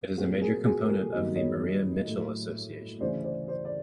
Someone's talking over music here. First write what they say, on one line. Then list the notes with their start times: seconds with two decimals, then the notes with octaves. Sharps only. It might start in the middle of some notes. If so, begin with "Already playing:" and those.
It is a major component of the Maria Mitchell Association.
0.17 A#2 F#3 A3 C4 F#4 G#4
0.41 G#4 A#4
0.65 F#4 G#4
0.82 A#4
0.88 G4 A4
1.12 G2 D#3 F#3 A#3 D#5
1.35 C#5 D#5
2.06 A2 F#3 A3
3.00 D2 C#3 E3 C5 D5
3.24 C5 D5
3.48 C5 D5
3.65 D5